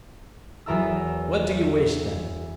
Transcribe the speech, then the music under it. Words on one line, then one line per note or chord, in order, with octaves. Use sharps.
"What do you wish, then?"
E2 F#3 A#4 E5 A5 E6